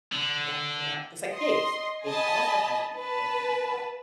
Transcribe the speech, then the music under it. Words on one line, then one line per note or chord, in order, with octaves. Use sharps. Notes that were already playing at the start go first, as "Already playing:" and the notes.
Yeah, they are, just like pigs. Pigs are also highly intelligent as well.
D3
D#5 C6
D#5 G#5 A5 B5
B4 A5